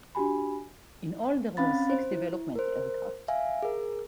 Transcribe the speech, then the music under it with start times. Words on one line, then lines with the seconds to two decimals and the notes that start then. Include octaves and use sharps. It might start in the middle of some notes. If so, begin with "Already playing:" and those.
In all there were six "development" aircraft.
0.15 D4 F#4 G4 G#5 B5
1.57 C4 C#4 F5 B5 A6
1.90 C5
2.11 E4
2.55 A#4 C5
3.28 E5 F5 G#5
3.62 G#4 A#4